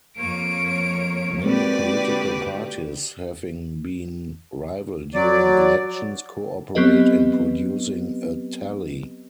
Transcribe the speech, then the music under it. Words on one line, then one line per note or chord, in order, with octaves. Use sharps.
Many political parties, having been rival during elections, co-operate in producing a tally.
F2 A#3 C#5 D7
D3 G#3 A#3 C4 F#4 G4 B4 D5
F#3 D5
F#3 B3 C4 G4 B4 D#5